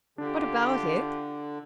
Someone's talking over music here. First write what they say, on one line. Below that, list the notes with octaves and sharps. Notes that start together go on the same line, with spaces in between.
"What about it?"
D3 D4 F4 G4